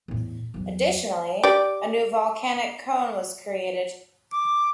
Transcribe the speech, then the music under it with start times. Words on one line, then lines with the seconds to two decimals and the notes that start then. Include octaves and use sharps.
Additionally a new volcanic cone was created.
0.08 E2 A2
0.54 E2 F#3
1.43 G4 D5
4.32 D6